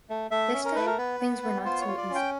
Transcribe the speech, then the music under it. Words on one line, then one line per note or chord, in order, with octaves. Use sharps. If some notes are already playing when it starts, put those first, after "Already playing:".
This time things were not so easy.
A3
A3 E5
C#4
A#4
A3 B4
A#4
B3 B4
B3
B3
F4 C5
C#5
F4
D5
C#4
G5